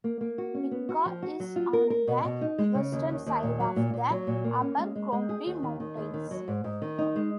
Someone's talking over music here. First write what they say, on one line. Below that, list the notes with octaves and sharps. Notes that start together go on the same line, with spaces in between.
Bigga is on the western side of the Abercrombie Mountains.
A#3
A#3
F#4
C#4
B3
F#4
F3
F#4
F#3
F4
A#4
A#4
B2
B2
D#4
G#3
C#3
D#2
D#2
D#2
A#2
F#3
A#2
A#2
F#3
A#2
A#3
C#4
G#3
G#3
G#3
G#4
D#2
D#3
D#3
D#2
D#3
F#3
G#2
G#2
D#3
D#4
G#3